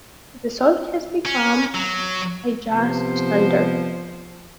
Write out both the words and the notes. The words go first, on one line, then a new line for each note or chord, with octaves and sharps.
The song has become a jazz standard.
C#4
F#3
C3 F3 B3 C5